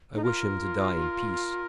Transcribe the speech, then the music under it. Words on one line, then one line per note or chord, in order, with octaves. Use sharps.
"I wish him to die in peace."
D#4
F4 A#4